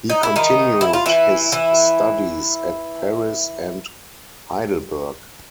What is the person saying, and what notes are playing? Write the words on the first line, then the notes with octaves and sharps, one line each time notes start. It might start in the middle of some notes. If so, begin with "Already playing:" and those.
He continued his studies at Paris and Heidelberg.
D#4
E4
D#3 D#4
E4
F4
E3 E4
E3 E4